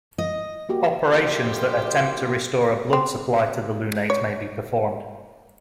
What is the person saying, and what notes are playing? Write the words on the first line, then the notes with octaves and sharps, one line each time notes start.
Operations that attempt to restore a blood supply to the lunate may be performed.
D#5
A#3 F#4 G4
D2 A2 F3 A#3 G4 C5
C4
C#5